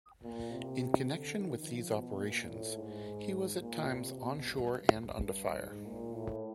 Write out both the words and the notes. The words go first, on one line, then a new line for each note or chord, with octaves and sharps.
In connection with these operations, he was at times on shore and under fire.
A#2
C3
D3
D#3
F3
B2
A#2
A2
G#2
A#2
C3
B2
G2
G2
G#2
A#2
A2